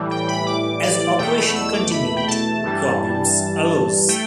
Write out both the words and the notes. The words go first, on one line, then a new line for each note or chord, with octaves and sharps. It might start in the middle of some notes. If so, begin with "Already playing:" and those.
As operation continued, problems arose.
Already playing: A2 E3 G3
G5
B5
D6
D5
E2 B2 A3 G5
B5
E6
D6
B5
G5
A5
G2 E3 G3
A3 G5